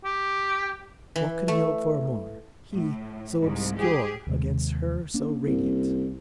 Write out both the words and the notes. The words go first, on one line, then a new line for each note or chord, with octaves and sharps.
What could he hope for more--he so obscure against her so radiant?
G4
E3
A3
A2
C2 G#2
G4 G#4
D#2 C3 G#3
A#3 C#4 D4
C2